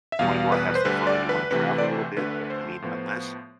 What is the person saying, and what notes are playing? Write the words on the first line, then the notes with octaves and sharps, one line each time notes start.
You wanna go and have some fun? You wanna travel a little bit? I mean, unless
E5
E2 B2 G3 F5
B4
C5
D2 D3 G3 B4
D5
B4
D2 C3 E3 A3 B4
D5
C5
D2 D3 A3 B4
B4
C5
A2 F3 B3